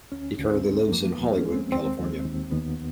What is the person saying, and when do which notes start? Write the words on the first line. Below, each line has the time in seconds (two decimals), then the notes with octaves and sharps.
He currently lives in Hollywood, California.
0.12 D2 C#4
0.38 D2
0.51 C4
0.65 G#3
0.92 F3 A#3
1.12 B3
1.18 D#2
1.32 C#4
1.45 G#3
1.52 C4
1.72 D#2 C4
1.99 D#2
2.25 D#2
2.52 D#2 B3